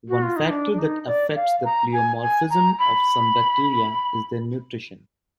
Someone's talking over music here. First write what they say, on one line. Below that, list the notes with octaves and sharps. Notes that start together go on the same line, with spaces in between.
One factor that affects the pleomorphism of some Bacteria is their nutrition.
F#4
F4
D#4
D4
D4
D#4
D5
F5
A#5
G#5
G#5
A#5
B5